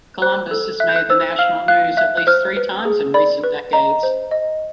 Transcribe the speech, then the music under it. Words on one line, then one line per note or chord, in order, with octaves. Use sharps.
Columbus has made the national news at least three times in recent decades.
C5 F#6
A4
E5 F#6
G6
F#6
C5 E6
F5 F6
F5 F#6
E5 F#6
F#6
C5 F6
B4
G#4
D5 B5
B4
D#5 A#5
C5
D#5